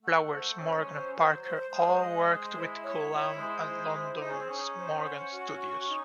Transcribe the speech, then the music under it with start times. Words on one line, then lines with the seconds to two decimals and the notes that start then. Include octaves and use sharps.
Flowers, Morgan and Parker all worked with Coulam at London's Morgan Studios.
0.03 A3 F#5
0.31 C5
0.59 C#4
0.77 G#3
0.87 F#3 C5
1.14 C5
1.42 C5
1.70 G#3 C5
1.98 D#5
2.26 C5
2.54 E4
2.82 C#5
3.10 E4
3.37 G#3 C5
3.66 E4
3.93 C5
4.21 D#4 G#4
4.30 C#4
4.39 C4
4.48 C#4 D#4
4.77 C5
5.05 F#5
5.32 F#4
5.60 C#6
5.88 D#4